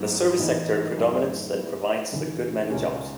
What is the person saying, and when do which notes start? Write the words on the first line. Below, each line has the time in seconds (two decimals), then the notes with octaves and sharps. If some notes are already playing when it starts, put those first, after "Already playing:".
The service sector predominates and provides a good many jobs.
Already playing: G#2 F#3 B3
0.38 A2 E3 B3 D#4
0.97 F#2 D#3 A3 C#4 E4
1.54 G#3 B3 E4 B4
2.12 D#2 C#3 E3
2.70 C#2 B2 G#3 C#4